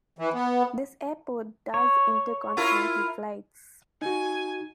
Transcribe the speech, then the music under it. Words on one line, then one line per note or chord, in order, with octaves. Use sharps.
This airport does intercontinental flights.
E3
B3
C#5
E4 F4 A#4
D#4 F#4 G#5